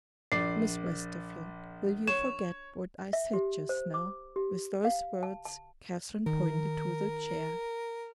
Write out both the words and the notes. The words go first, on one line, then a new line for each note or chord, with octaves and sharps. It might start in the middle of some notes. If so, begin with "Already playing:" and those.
"Miss Westerfield, will you forget what I said just now?" With those words, Catherine pointed to the chair.
A#1 D5 C7
C#5 E7
E5
G4
C5
D6
G4
F5
A5
A5
D#3 A#4